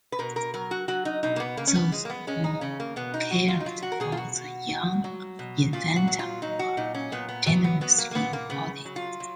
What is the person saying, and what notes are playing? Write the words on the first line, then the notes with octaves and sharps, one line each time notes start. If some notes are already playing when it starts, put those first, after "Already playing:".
Those who cared for the young infanta were generously rewarded.
B4
B2 A#4
A#4
F#3 A#4
F#4
F#3 F#4
D#4
B2 D#4
A#3
B3
C#3 A#3
C#4
B3
G#3
A#3
B3
G#3 C#4
D#4
C#3 C#4
A#3
B2 B3
D#4
F#3 F#4
F4
D#4
F#3 F4
F#4
A#4
B2 G#4
F4
F#4
B2
F#3
F#3
B2
A#2 F4
F4
F#4
F#3
F4
F#3 D#4
F#4
A#2 D#4
C#4
A#2 B3
B3
F#3 B3
B3
F#3 B3
A#3
A#3
A#2 B3
A#3
C#3 B3
F#3
F4
F#3